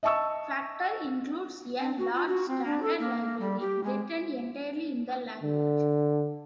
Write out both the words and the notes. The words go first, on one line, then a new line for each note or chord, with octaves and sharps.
Factor includes a large standard library, written entirely in the language.
D#5 E5 A5 C#6 E6
C4
F#4
F4
F#4
C4
D4
A4
A#3
G3
G4
G#3
D3